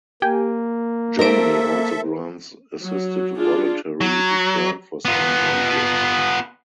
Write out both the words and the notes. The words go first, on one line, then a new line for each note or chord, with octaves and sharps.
Germany also grants assisted voluntary return for some migrants.
A#3 G4 G5 G#5
D#4 A4 A#4 C5 E5 D7
F#3
D4 F4 G#4
F#3
B3 F4